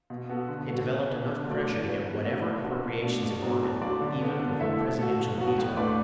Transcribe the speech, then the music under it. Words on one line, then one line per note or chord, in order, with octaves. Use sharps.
It developed enough pressure to get whatever appropriations it wanted, even over Presidential veto.
B2
B3 F#4 A4
D3
B3 F#4 A4
B3
D4 B4
D3
F#3 A3 F#4 D5
E3
B3 F#4 B4
F#3
A3 D4 F#4 A4
B3
D4 F#4
B2
A3 D4 F#4
B2
F#3 B3 D4 F#4
A2
F#3 D4 F#4 D5
D3
B3 D4
D3
A3 E4 A4 E5
A3
F#4 A4
B2
F#3 B3 F#4
A2
A3 D4 B4 D5